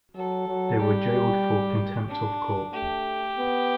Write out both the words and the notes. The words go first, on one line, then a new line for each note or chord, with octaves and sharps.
They were jailed for contempt of court.
F#3 A4
F#3
G3 G4
G3
D4
A3 G4
B3